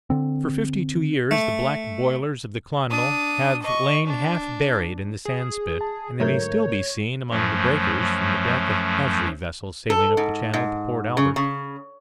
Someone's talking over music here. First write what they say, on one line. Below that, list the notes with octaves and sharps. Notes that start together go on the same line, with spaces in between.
For fifty-two years the black boilers of the 'Clonmel' have lain half buried in the sandspit, and they may still be seen among the breakers from the deck of every vessel sailing up the channel to Port Albert.
D3 C4
A3
D4 D#6
D#5 C#6
D4
G#4
A5
G#2 D3 F#3 A3 A#4 C#5 G6
F#2 F3 F#3 A3
A4
G#2
G#2
C#3
C#3